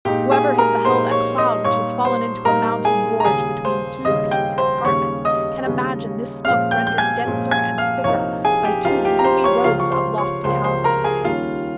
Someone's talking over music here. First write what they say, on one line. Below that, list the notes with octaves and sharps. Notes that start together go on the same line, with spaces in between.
Whoever has beheld a cloud which has fallen into a mountain gorge between two peaked escarpments can imagine this smoke rendered denser and thicker by two gloomy rows of lofty houses.
A#2 G#3 D#4 G4 G5
G#4 G#5
A#4 A#5
A#2 G#3 D#4 C5 C6
C#5 C#6
D#5 D#6
A#2 G3 A#3 D#4 C#5 C#6
C5 C6
A#2 G3 A#3 D#4 A#4 A#5
G#4 G#5
A#5
D#2 C#3 G3 G#4 G#5
C5 C6
D#2 C#3 G3 D#5 D#6
G5 G6
C5 C6
D#2 C#3 G3 C#4 C#5 C#6
D#5 D#6
D#2 C#3 G3 C#4
A#2 F3 G#3 C#4 F5 F6
G5 G6
G6
G#5 G#6
A#2 F3 G#3 C#4
G#5 G#6
F5 F6
C2 C3 F3 A#3 D#4 C#5 C#6
G#4 G#5
G4 G5
C2 C3 F3 A#3 D#4 F4 F5
G4 G5
A#5
C5 C6
C#5 C#6
C#2 C#3 F3 A#3 F4 F5
C#6
C5 C6
C#5 C#6
C#2 C#3 F3 A#3 C5 C6
C5 C6
A#4 A#5
G#4 G#5
D#2 D#3 G3 C#4 F4 F5